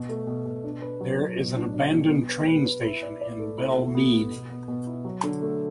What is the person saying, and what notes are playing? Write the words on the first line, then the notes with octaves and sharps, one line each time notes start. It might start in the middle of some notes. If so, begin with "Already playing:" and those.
There is an abandoned train station in Belle Mead.
Already playing: B2
A3
B2
B2
D4
B4
F#3
F#3
B2
D4
D4
B2
B3
B4
B4
B4
E4
D5
D5
A3
E4
E4
B3
B3
B2
B3
B2
E4
F#3
D3
A3